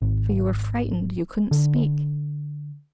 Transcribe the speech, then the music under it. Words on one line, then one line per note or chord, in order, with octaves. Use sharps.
For you were frightened; you couldn't speak.
G#1
D3